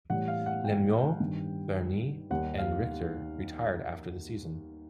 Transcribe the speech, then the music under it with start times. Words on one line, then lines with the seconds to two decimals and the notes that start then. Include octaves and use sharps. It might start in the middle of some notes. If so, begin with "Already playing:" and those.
Lemieux, Burnie and Richter retired after the season.
0.10 A2 E3 G3 F#5
0.28 F5
0.46 F#5
0.65 G5
1.20 G2 D#3 G3
2.31 D#2 D#3 G3 F#5
2.58 F5